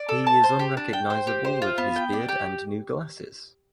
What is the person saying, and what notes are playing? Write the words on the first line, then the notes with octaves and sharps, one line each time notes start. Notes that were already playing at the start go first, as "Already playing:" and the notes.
He is unrecognizable with his beard and new glasses.
Already playing: D5
A4
A5
C5
G4
D4
G5
C5
G4
C5
F4
B3
G5
D5
G4